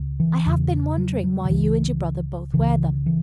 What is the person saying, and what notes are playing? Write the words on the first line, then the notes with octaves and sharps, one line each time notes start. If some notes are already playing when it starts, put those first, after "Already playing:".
"I have been wondering why you and your brother both wear them."
Already playing: C#2 C#3
E3
E2 C#3
F#3
F#3
D3
C#2 C#3 E3
C#2 C#3 E3
E3